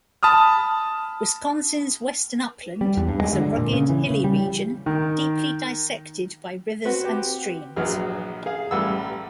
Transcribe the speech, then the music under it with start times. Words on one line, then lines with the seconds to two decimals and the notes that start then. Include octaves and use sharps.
Wisconsin's Western Upland is a rugged, hilly region deeply dissected by rivers and streams.
0.23 A5 B5 D#6 F6
2.81 G3
2.97 E2
3.09 G2
3.21 G#3
3.33 D3
3.58 A#2
3.73 C#3
3.89 E3
4.10 C#3
4.24 G3
4.86 D#3
6.85 C4 F#4 B4
7.05 G4
7.76 A#1 E3 F#3 G#4 F6
8.46 G#4 F5
8.71 A1 G3 F#5 E6